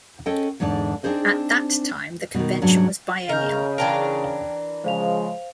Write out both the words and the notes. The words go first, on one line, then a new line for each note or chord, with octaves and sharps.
At that time the convention was biennial.
C#4 A4 D#5 G5
E2 G#2 D3 D4 D5
C4 D4 D#4 G#4 C5 D#5
B2 D#3
G#2 C3 F#3 C#4 D4
C#3 A#4 D#5 F6 G6
E3 D4 A#4 G5 A5 D7
C#3 F3 G#3 C5 F5 F7